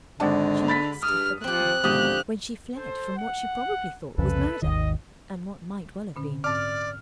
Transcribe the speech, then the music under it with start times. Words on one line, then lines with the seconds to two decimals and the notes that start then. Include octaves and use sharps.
She must have forgotten it, then, when she fled from what she probably thought was murder, and what might well have been.
0.20 G#1 D3 G#3 D4 F#4 A5
0.68 B5 A6 B6
1.03 G2 D#6 F6
1.44 F3 C4 G4 F#6
1.83 G#1 B2 D3 F3 G4 D#6
2.77 A4 C5
3.17 F#5
4.18 C2 F2 C#3 A4 B4
4.62 G#1 D#2 D#3 D#5
6.16 A#2 D3 C#4
6.44 G#2 C4 D5 D6 F6